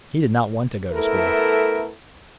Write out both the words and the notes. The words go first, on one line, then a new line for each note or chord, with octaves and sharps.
He did not want to go to school.
A3 B3 E4 A4 A#4